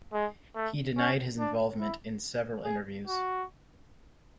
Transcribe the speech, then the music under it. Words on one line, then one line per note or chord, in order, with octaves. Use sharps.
He denied his involvement in several interviews.
G#3
A3
C#4
D4
E4
G#4
F#4